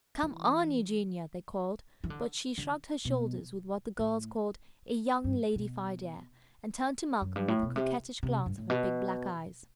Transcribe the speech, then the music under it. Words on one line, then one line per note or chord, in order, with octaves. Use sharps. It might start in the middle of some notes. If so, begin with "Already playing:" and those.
"Come on, Eugenia," they called, but she shrugged her shoulders with what the girls called a "young ladified air," and turned to Malcolm with a coquettish glance of her big black eyes.
E3
E3
D3
D3
B2
A2
G2
B2
F#2
G2
A2
B2
C3
C3
G2
A2
B2